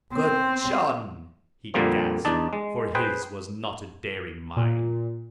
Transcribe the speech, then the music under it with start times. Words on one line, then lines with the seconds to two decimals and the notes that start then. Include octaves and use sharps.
"Good Jon!" he gasped; for his was not a daring mind.
0.14 C4
1.74 F2 A#2 D3 G3 A#3 C4
2.25 E2 D4 D#4 D5 A5
2.53 G#3
2.95 G#4 B4 C5 G5
4.57 A#2